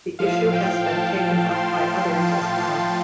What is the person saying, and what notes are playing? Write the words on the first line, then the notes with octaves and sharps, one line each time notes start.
The issue has been taken up by others as well.
A2 F3 F5
G5
A5
C6
A5
C6